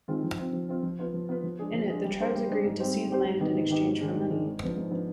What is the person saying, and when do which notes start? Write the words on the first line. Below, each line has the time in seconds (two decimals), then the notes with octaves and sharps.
In it the tribes agreed to cede land in exchange for money.
0.08 D#3 G#3 C4 F4
0.23 F3
0.38 C4 F4
0.53 F3
0.69 C4 F4
0.83 F3
0.99 B3 F4 B4
1.14 F3
1.29 B3 F4 B4
1.44 F3
1.59 G#3 D4 G#4
1.74 F3
1.89 G#3 D4 G#4
2.04 G3
2.19 D4 G#4 C5
2.35 G3
2.49 D4 G#4 C5
2.65 G#2
2.80 G3 C4 G4 C5
2.95 G#2
3.10 G3 C4 G4 C5
3.26 G#2
3.40 D#3 B3 D#4 G4
3.55 G#2
3.70 D#3 B3 D#4 G4
3.86 G#2
4.00 D#3 G#3 D4
4.16 G#2
4.30 D#3 G#3 D4
4.46 G#2
4.61 F3 B3 D4
4.76 G#2
4.91 F3 B3 D4